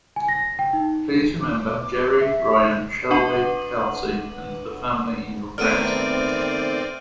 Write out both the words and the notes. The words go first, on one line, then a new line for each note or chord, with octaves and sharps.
Please remember Jeri, Ryan, Shelby, Kelsey and the family in your prayers.
G#5
A#6
G5
D#4
D6
E5
D4 B4 F#5 D6 D#7 F#7
D#3 A3 B3 C4 D5 F6 D7 D#7